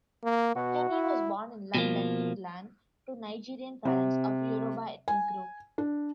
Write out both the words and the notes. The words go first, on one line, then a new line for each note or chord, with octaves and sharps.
Femi was born in London, England, to Nigerian parents of the Yoruba ethnic group.
A#3
B2 F#4
E4
B2 F3 A#3
C3
G#5
D4